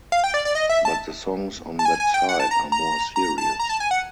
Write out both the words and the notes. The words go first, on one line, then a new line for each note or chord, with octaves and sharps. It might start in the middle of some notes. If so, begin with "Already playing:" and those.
But the songs on that side are more serious.
F5
G5
D5
D5
D#5
E5
A5
A5
G#5
G#5
G5
F#5
A5
A#5
A#5
A#5
A5
A#5
A5
G#5
F#5